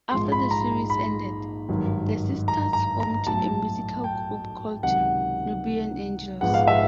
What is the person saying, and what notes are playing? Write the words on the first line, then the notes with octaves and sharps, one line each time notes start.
After the series ended, the sisters formed a musical group called Nubian Angels.
A#1 G#2 F3 G#3 C6
B5
A#5
B5
G#1 G2 D#3 F#3
A#5
A#5
A#5
B1 A2 F#3 A5
G5
C#2 C3 D#3 F#3 F#5
A#1 G#2 F3 G#3 B3 F#5
F5
E5